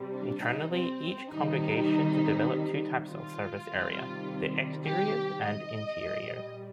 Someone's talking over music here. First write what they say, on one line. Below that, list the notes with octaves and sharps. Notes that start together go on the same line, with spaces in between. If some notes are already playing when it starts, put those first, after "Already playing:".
Internally each congregation to develop two types of service area: the exteriors and interiors.
Already playing: C3 G3
D4
D#4
C4
C3 D#3 G3 D#4
F4
C3 D#3 G3
G4
D#5
A#2 G3